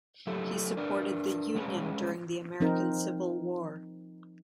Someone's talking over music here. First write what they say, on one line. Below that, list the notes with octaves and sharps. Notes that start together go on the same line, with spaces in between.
He supported the Union during the American Civil War.
F#3 A3 E4 G4 A4
D4 A#4 B4 D5
G3 G#3 C#4 B4
F3 C4 D#4 A#4